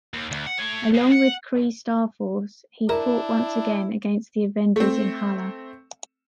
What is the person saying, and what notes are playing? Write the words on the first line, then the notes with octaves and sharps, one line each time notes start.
Along with Kree Starforce, he fought once again against the Avengers in Hala.
D#2
D2
F#5
A3 C#5
B2 G#3
F#5
D4 E4 A#4
A3 C4